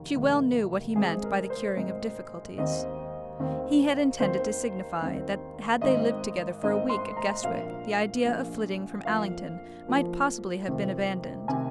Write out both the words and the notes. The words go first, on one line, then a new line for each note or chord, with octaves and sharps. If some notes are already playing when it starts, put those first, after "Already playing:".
She well knew what he meant by the curing of difficulties. He had intended to signify that had they lived together for a week at Guestwick the idea of flitting from Allington might possibly have been abandoned.
Already playing: F1 D#2 D#3
F1 D#2 D#3 A#3
G#1 G#2 G#3 C4 G#4
A#4
C5
G#1 G#2 G#3 C4
D#2 D#3 C4 D#5
D#2 D#3 C4
D#2 D#3 C4 C5
D#2 D#3 C4
G#1 G#2 D#3 C4 D#5
G#1 G#2 D#3 C4 D#5
C6
A#5
A#1 A#2 A#3 F5
A#1 A#2 A#3
F2 F3 A#3 F5
F2 F3 A#3
F2 C3 D#3 C4
C3 D#3 C4 G#5